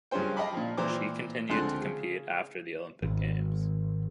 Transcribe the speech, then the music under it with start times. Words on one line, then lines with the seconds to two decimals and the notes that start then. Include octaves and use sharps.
She continued to compete after the Olympic Games.
0.11 G2 C#3 C#4 F4 C5 G5
0.36 D#5 F5 G5 A5 B5 D6
0.52 A#2 F3
0.77 A#2 E3 C5 G5 A#5 D6
1.49 C#2 D3 F3 C4 C6 F#6
1.81 C#3
3.02 G#1